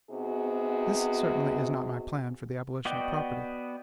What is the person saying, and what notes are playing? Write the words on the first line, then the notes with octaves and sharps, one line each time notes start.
This certainly is not my plan for the abolition of property.
C3 B3 D#4 F#4 G#4
B3 F#4 D5 D#5 G5